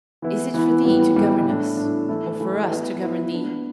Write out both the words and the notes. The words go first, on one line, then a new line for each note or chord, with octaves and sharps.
Is it for thee to govern us, or for us to govern thee?
E3 B3 E4
E3 B3 E4
A2 E3 G3 B3
A2 E3 G3 B3
A2 A3 D4
A2 A3 D4
E3 A3 E4 A4
E3 A3 E4 A4
B3 E4 B4
B3 E4 B4
B3 D4 B4